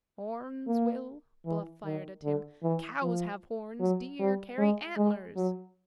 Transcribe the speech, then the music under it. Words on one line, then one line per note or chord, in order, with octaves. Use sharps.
"Horns, Will?" Bluff fired at him; "cows have horns, deer carry antlers!"
A#3
E3
D#3
D3
E3
F3
F#3
G3
G#3
G#3
F#3